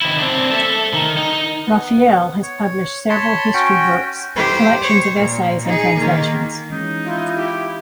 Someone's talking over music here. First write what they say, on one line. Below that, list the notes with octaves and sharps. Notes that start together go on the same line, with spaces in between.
Raphael has published several history books, collections of essays and translations.
D#3 E4
C4 D4
A4 E5
D#3
D#4
B3
C#5
C#5 A5 B5 C6
C#4 F#4 G5
G4 C5
C5 C#5
A#2
D#4 G#4
D#3 A#3
E3 G#3 C#4 D#4
E4 F4
G4